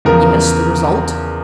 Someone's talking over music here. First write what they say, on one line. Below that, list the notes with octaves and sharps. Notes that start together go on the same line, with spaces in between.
"Yes, the result?"
E2 C#3 F3 A#4